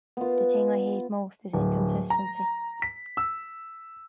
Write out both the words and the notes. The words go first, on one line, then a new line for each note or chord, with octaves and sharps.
The thing I hate most is inconsistency.
B3 F4
D1
A#5
B6
E6